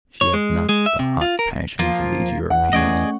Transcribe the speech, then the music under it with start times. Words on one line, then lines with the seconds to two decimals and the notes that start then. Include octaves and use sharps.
She had not the hot passions of these Europeans.
0.21 C#5
0.34 G#3
0.69 G#3
0.86 E5
0.99 C3
1.21 F4
1.39 A#4
1.79 F3 A#3 F4
2.50 E2 F#5
2.73 E2 A3 C#4 G#4 D5 D#5 C#6